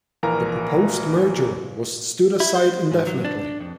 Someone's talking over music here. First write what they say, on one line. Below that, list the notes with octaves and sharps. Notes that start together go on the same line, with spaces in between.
The proposed merger was stood aside indefinitely.
A#1 E3 A#4 F5 A#5
E4
C5
G#2
F#3
D4
F2